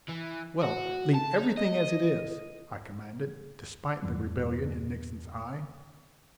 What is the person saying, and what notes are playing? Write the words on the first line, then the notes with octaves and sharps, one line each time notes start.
"Well, leave everything as it is," I commanded, despite the rebellion in Nixon's eye.
E3
F#4
A5
D#4
D#5
E2 G2 E3 G3